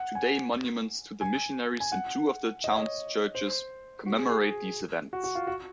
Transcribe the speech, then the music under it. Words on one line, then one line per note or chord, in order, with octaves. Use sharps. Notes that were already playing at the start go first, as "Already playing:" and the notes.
Today monuments to the missionaries in two of the town's churches commemorate these events.
Already playing: F#5
G#5
G#5
G#5
F#5
D#5
C#5
D#5
C5
F#4
G#4
G#4
F#4
F#4
F4
F#4